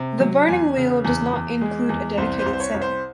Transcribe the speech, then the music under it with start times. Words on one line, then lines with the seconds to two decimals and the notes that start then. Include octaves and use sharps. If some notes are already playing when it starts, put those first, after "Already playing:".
"The Burning Wheel" does not include a dedicated setting.
Already playing: C3
0.20 F#3
0.48 E2 G#5
0.76 C#3
1.05 E2
1.33 E2
1.61 G#3
1.89 E2
2.17 C2 C5
2.39 C5
2.46 C2
2.53 C5
2.60 C#5
2.74 C2
2.82 C5